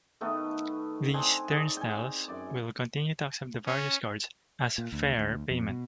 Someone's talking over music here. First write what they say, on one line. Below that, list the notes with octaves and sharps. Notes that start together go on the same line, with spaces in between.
These turnstiles will continue to accept the various cards as fare payment.
D#3 A3 B3 B4
C4 D4 D#4 G#5
D#4 G#4 D5
G5 G#5
F#2 D5
C#4
A#2
D2
D2
F2
B2